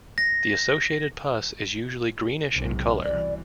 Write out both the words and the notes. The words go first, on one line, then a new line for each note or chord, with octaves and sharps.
The associated pus is usually greenish in color.
A#6
B1 G#2 C3
C2 B2 E3 D5